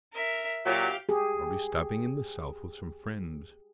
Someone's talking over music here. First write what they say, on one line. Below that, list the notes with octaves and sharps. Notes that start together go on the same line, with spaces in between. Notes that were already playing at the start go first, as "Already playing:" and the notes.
I'll be stopping in the south with some friends.
A#4 E5
A#2 F#3 G4 F5
G4 G#4